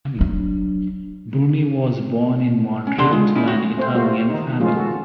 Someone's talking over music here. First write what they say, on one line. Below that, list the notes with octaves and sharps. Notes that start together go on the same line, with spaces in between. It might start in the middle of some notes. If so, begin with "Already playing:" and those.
Bruni was born in Montreal to an Italian family.
F#3 D4
C#4
E2 B2 D3 D4 C6
G#3 F4
C#4 D#4 E4
F#4
A3 C4 C5
G3 A3 A#3 F4 F#4 C5
D#3 D#4
F3 G#3 C#4 F4
F#4 A4